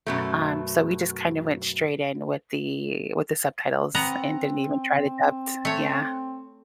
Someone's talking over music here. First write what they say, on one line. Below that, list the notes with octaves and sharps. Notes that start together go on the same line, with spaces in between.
um, so we just kinda went straight in with the with the subtitles and didn't even try the dubbed. Yeah.
F#2 B2 A3
B3 C4 F#5 A#5
A3 C#5